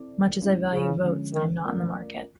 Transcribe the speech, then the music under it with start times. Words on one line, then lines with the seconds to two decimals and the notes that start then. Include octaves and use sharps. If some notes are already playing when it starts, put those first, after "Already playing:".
Much as I value votes I am not in the market.
Already playing: C4 E4 A4 D5
0.42 G#3 C#4 E4
0.73 C#3
1.03 D3 F3 G#3 C#4
1.34 D#3
1.64 A3 C#4 F4 A#4 D5